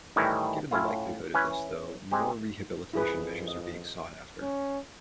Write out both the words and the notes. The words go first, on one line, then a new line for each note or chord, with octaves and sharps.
Given the likelihood of this, though, more rehabilitation measures are being sought after.
A2 D#3 E3 G3 D#4 E4
A2 C#4 E4 F4
E3 C#4 B4
G#3 C4 D#4 G4
F2 E4 G#4 B4
D#5
C#4